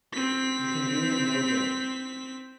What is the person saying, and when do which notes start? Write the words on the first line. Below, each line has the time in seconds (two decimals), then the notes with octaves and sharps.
You can do him no good.
0.14 C4 B6